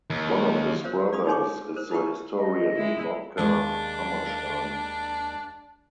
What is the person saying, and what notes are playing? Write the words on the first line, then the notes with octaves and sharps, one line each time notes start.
One of his brothers is the historian Notker Hammerstein.
D#2
A#4 C5 C#5 F5
D5 F5 B5 D#6
D#4 G4 C#5 G#5 C6 D6
A#4 C5
D#4 E4 F#4 G5 C#6
D#5
G#3 E4
D#2 G#3 D4 F5